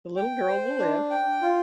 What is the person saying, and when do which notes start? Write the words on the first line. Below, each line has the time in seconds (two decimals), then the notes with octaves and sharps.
The little girl will live.
0.16 G5
0.48 C5
0.79 D4
1.10 G5
1.42 F4